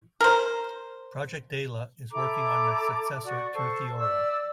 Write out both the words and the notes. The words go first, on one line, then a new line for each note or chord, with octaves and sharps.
Project Daala is working on the successor to Theora.
A#4 C5
E4 A4 A#5 D6
F#4 D5 C#6
A4 C5 C#6
D5 E5 E6